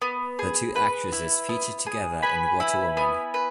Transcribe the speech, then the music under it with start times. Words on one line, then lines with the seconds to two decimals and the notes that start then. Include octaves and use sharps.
The two actresses featured together in What a Woman!
0.02 B3
0.39 G#4
0.75 B4
1.12 E4
1.49 B3
1.86 G#4
2.23 B4 G#5 B5
2.60 E4
2.97 B3
3.34 B4